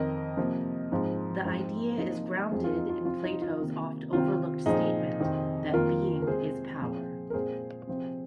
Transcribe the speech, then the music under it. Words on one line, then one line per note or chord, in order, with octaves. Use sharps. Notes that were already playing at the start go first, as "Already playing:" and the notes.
The idea is grounded in Plato's oft-overlooked statement that being is power.
Already playing: F2 D#3 C4 A#4 D#5
C3 F3 A#3
G#2 F3 C4
G#2 F3 C4
C3 F3 A#3 D#4
F2 F3 C4 G#4
F4
D#4
F4
C3 F3 C4 F4
D#4
F4
C3 D#3 A#3
C3 D#3 C4 F4
A#2 F3 C4 D#4 G#4
F2 C3 D#3 C4
F2 D#3 A#3 F4 A#4
A#4
C3 G#3 C4 G#4 C5
A#2 F3 G#3 C4
A#4
A#2 G#3 C4 G#4 C5
C3 F3 C4